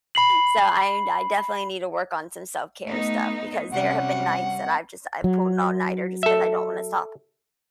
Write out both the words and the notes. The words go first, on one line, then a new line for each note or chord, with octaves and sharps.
So I I definitely need to work on some self-care stuff, because there have been nights that I've just I've pulled an all-nighter just 'cause I don't wanna stop,
B5 C7 F#7
A3 B3 D#4
C3 G3 C#4 F#5
F#3
A4 E5